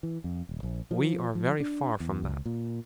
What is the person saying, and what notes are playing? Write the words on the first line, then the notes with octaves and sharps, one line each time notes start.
We are very far from that.
E3
F2
D#1
A#1
F3
F3
D4
E2
C#2
A#2